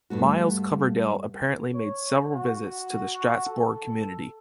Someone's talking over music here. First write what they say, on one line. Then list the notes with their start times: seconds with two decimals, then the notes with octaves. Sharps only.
Myles Coverdale apparently made several visits to the Strasbourg community.
0.10 G2 G3 A3 F#4
1.74 C#5
2.36 F#4
3.47 A4